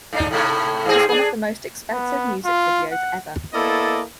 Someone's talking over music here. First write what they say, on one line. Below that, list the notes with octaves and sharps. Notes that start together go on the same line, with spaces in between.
It is one of the most expensive music videos ever.
G#2 D4 D#4
A2 C3 A3
G#2 C4 G#4
D4 G#4
B3
F4
F#5
A#3 B3 E4 A4 D5 D#5